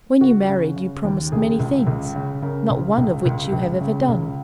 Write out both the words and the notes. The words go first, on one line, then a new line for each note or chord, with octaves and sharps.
"When you married, you promised many things, not one of which you have ever done."
C#3 F#4
C#3
C#3
D#2
C#2 G#4
C#2
C#2
C#3
C#3 A#4
C#2
C#2
C#2
C#2
C#3
C#2